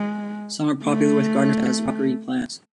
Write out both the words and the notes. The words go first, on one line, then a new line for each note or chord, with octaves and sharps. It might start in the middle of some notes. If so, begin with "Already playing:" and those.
Some are popular with gardeners as rockery plants.
Already playing: G#3
A3